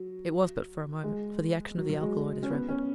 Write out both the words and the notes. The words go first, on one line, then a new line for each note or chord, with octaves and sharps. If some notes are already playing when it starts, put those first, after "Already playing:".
It was but for a moment, for the action of the alkaloid is rapid.
Already playing: F#3
G#3
F#3
F#3
G#3
C#4
B3
C#4